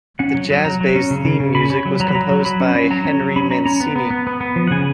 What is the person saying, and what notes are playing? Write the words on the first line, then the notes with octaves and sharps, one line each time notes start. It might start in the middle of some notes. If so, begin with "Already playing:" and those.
The jazz-based theme music was composed by Henry Mancini.
C#4 F#5
F#3
F#3
F#3 A#5
F#3
C#4
C#3
C#3
C#3
C#3 B5
C#4
F#3
F#3 A#5
B5
F#3 A#5
F#3
F#3 B5
C#4
C#4
F#3 A#5
C#4
F#3
C#4 B5
C#4 A#5
C#4 A#5
B3
B3
B3
B3
B3
F3
F#5
C#3 G#5